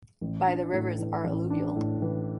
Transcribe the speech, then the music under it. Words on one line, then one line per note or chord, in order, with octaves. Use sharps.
By the rivers are alluvial.
A1
D4
A2
E3
A1
D4
A2
E3